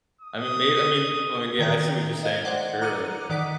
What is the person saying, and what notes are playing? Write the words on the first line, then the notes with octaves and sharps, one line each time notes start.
I mean, may I mean well and yeah, I see what you're saying for sure, like
D#6
D#3 G5 A#5
D#5 F5 G#6
C5 D5 F#5
A#5 D6 F#6 C#7 D#7
D#3 D5 F#5 F#6 B6